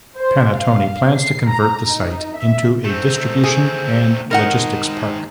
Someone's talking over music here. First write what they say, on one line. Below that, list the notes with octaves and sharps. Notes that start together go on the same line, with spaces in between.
Panattoni plans to convert the site into a distribution and logistics park.
C5
F5
C7
A#5
D#4
E5
A3 C4
G#4
D#3 G#3 A#4 D#5 F#5